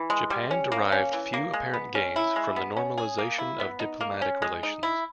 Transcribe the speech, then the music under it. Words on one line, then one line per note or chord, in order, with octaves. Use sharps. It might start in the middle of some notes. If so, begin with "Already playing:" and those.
Japan derived few apparent gains from the normalization of diplomatic relations.
Already playing: E3
G#3
G3
C#4
A#3
C#4
E3
A#3
G#3
B3
C#4
E4
G#3
B3
C#4
G#4
A#3
E4
B3
D#4
A#3
C#4
G#3
D#4
E4